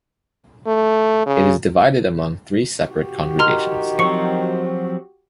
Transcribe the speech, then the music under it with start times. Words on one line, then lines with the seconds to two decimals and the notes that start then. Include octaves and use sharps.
It is divided among three separate congregations.
0.67 A3
1.26 C#3
2.90 F#4 G4
3.39 D#3 A#5 C6 F6
3.99 F3 F#3 C4 C#6 C#7